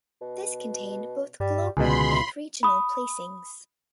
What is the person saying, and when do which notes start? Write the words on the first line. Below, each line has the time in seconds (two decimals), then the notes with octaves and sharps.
This contained both global and regional placings.
0.21 B2
1.40 G2 G3
1.77 C#2 B2 D3 G#4 B5 C6
2.63 B5 D#6